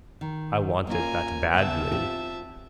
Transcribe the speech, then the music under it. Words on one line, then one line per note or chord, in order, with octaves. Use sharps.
I wanted that badly.
D#3
A#3 C#4 F4 A#4 G#5
C#3 B3 E5 A5
C4 F4 G4